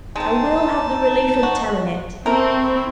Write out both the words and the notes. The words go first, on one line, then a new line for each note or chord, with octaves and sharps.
I will have the relief of telling it.
G#3 C4 D#4 A5
F#4
A3 C4 E4 A#4